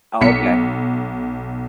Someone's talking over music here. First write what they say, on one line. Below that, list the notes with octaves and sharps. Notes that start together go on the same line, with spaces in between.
Oh, okay.
B1 B6 C#7